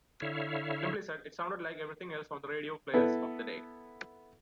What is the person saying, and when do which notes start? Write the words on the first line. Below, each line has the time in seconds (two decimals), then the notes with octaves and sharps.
Simply said, it sounded like everything else on the radio playlists of the day.
0.22 D3 E4 C#5 E5 F5
2.94 B3 E4 A4 B4